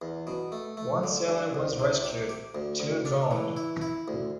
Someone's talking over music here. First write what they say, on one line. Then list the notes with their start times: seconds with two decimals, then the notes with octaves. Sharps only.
One sailor was rescued; two drowned.
0.02 E2
0.27 B2
0.52 A3
0.77 A3
1.04 D3
1.29 G2
1.54 C2
1.79 C3
2.04 G4
2.29 G4
2.55 D2
2.80 D2
3.05 D4
3.31 E3
3.57 E4
3.81 E4
4.08 D2